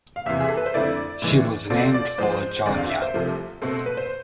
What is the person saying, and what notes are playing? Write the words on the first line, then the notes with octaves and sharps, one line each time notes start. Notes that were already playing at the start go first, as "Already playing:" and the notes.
She was named for John Young.
F5
E2 C3 E3 E5
G#4
A4
B4
C5
F2 D3 A3 E4 D5
A2 E3 G#3
B2 A3 C4 F4 D5
D5
G#2 F3 G#3 C5
E2 D3 G#3 C4 D5
F5
E5
C5
C2 C3 F3 A3
B2 A3 C4 A4
B4
C5